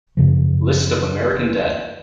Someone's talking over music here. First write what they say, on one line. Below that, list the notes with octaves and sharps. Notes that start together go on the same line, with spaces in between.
List of American Dad!
F#2 C#3 F3